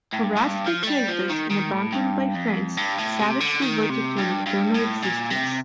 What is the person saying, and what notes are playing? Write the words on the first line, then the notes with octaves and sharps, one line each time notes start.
Harassed by creditors and abandoned by friends, Savage reverted to a nocturnal existence.
A2
G2
A2
G2
F3
A3
G3
F3
D#3
D#3
A2
G2
F2
G2
A2
C3
D3
D#3
C3
G2
G2
A2
A#2
C3